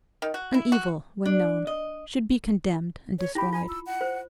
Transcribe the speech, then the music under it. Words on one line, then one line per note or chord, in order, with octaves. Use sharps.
An evil, when known, should be condemned and destroyed.
D#3
F#4
E4
F#4
D4
D#5
C#5
E4 G4 B5
F4 G#5
E6
F#5
C5